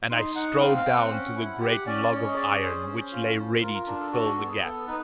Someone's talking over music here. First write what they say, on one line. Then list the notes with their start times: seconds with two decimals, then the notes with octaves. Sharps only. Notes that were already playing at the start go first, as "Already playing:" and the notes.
And I strode down to the great log of iron which lay ready to fill the gap.
0.10 D#4 C6
0.35 D#4 F#5
0.60 C4 F5
0.77 F5
0.86 C4 G5
0.94 F#5
1.11 C#4
1.36 E4
1.60 G4 F#5
1.86 C#4 D5
2.05 D5
2.11 C#4 C#5
2.27 D#5
2.36 G#4 D5
2.61 C#4 C5
2.86 C#4
3.12 F4
3.37 F4
3.61 F4 A#4
3.74 A#4
3.87 D4 A#4
3.99 A4
4.12 F#4 A4
4.29 A4
4.37 B3
4.46 G#4
4.62 B3 A4
4.87 D#4 B4